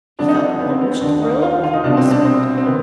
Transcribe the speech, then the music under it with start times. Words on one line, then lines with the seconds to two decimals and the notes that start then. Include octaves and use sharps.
He felt almost thrilled by the prospect.
0.19 F2 D3 D4
0.28 D#4
0.39 D4
0.60 B3
0.70 C4
0.81 B3
0.91 C4
1.01 D#2 D3 D4
1.22 D#4
1.42 F4
1.53 F4
1.63 F4
1.73 D#4
1.83 C2 B2 D4
1.97 C4
2.11 D4
2.24 C4
2.57 C4
2.66 C3 D#3 B3